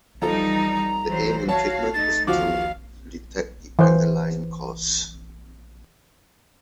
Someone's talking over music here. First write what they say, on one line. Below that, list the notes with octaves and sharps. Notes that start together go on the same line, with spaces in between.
The aim in treatment is to detect the underlying cause.
E3 F3 G3 D#4 A4 A#5
E3 F#3 C5
F#4 C#5 F5 A5
A3 D#4 A6
D#2 F3 F#4 F5 D6
E3 C5